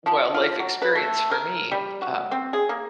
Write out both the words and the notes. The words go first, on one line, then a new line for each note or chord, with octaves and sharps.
well, life experience for me. Um
F3
F4
F#3
B4
A3
A#4
G3
F#4
C4
G#4
A#3